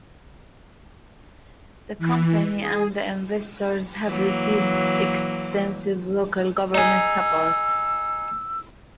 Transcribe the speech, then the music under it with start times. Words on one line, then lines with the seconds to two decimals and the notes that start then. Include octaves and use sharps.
The company and the investors have received extensive local government support.
1.99 E3
2.59 G#4
4.07 E3 F#3 A#3
6.74 D#4 G#4 E6